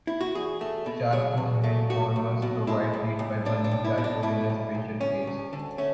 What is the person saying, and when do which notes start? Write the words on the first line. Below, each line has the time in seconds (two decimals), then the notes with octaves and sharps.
Charcoal hand-warmers provide heat by burning charcoal in a special case.
0.07 E4
0.21 F#4
0.35 E2 G#4
0.61 A3
0.86 B2
1.13 F#3 G#4
1.38 E2
1.64 A3
1.90 B1 F#4
2.16 B1
2.42 B2
2.67 G#3 E4
2.94 B1
3.19 B1
3.45 B1 D4
3.64 D4
3.71 B1
3.85 E4
3.97 B2
4.04 D4
4.23 A3 E4
4.50 B1
4.75 B1
5.01 D2 C#4
5.27 D2
5.53 D3
5.78 A3 C#4